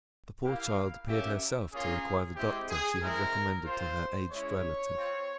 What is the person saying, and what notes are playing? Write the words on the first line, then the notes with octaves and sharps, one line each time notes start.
The poor child appeared herself to require the doctor she had recommended to her aged relative.
A#3 E4 G4 F5
A#3 C#4 G4 E5
A#3 C#4 F4 G#4
G#3 C4 E4 G4
G#4
G#3 C4 E4 A#4
C4 F4 C5
G#3 C#4 E4 C#5
C4 F4